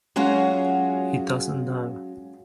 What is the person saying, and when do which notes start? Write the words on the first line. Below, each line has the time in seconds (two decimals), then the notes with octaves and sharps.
He doesn't know.
0.16 F#3 G#3 C#4 F4 F#4 G#4